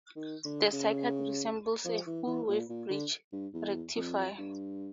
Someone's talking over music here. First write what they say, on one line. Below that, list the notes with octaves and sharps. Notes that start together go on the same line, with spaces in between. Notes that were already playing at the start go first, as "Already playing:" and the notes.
The circuit resembles a full-wave bridge rectifier.
D#3
D3
C#3
F3
E3
E3
A#2
A#2
D3
G2
E2
F2
G2